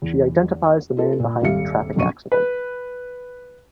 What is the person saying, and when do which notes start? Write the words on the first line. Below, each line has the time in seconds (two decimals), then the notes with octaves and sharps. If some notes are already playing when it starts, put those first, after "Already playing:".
She identifies the man behind the traffic accident.
0.02 E2
0.97 F4 A4 B4
1.20 A#2
1.42 D#1 G#1 G3 E5 F5 C#7
1.96 F1 F#2 B2 D3 C#6 D#7
2.32 B4